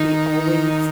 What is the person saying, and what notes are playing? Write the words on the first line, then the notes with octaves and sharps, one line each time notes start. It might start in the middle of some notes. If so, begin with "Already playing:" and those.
we always,
Already playing: D#3 D#4